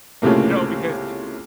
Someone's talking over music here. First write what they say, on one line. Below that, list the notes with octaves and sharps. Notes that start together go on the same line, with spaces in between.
"No, because
C#2 A2 C3 A3 A#3